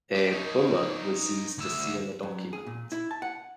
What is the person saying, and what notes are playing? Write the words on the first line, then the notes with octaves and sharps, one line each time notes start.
A bulla was used to seal a document.
G4
D#4 C#5
D2 E5
F#2
G#4
A#2
E4
A5
F#5